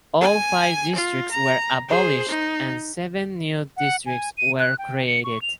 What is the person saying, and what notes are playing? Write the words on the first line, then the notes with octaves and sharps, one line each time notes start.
All five districts were abolished, and seven "new" districts were created.
G#5
F4
A#5
G#4 C5
D#4
F#5
G#5
D#7
F#6
G5
C#7
C#6
F7